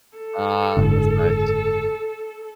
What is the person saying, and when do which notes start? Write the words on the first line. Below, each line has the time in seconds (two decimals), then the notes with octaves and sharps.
Ah, that's nice.
0.18 A4
0.77 F#1 G#2 D3